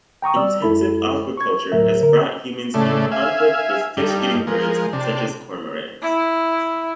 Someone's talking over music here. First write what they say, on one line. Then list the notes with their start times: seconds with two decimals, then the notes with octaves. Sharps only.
Intensive aquaculture has brought humans in conflict with fish-eating birds such as cormorants.
0.22 G5 A#5 C#6 D#6
0.36 G3 D5 E6
0.62 F#2 G#3 E4 A4 B5
1.37 C#6 G#6
1.72 D2 A2 F#3 A#4 E5
2.02 D3 A#4
2.74 A2 C#3 A3 D4
3.12 E5 F5 G#5
3.97 G2 G3 D#4
4.47 F3 G#3 A#4
4.93 C3 D4
6.02 E4